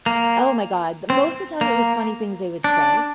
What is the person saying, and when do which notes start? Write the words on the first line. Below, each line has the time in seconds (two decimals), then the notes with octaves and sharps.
Oh my God. The most of the time, it was funny things they would say.
0.06 A#3
1.10 C4
1.61 A#3
2.64 D4